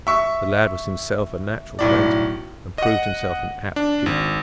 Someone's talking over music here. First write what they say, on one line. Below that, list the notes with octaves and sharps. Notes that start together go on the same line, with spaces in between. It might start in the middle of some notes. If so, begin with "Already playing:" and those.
The lad was himself a natural plainsman and proved himself an apt pupil.
E5 C#6 E6
B1 A2 D5
D#5 F#5
D4
G#1